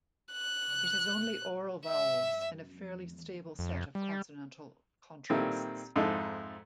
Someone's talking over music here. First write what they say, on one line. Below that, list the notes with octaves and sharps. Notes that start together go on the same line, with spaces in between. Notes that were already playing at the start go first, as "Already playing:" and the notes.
It has only oral vowels and a fairly stable set of consonantal contrasts.
F#6
E5
F2
G3
A#2 D#3 G3 C4 E4 A4
F2 G#2 D#4 E4 A4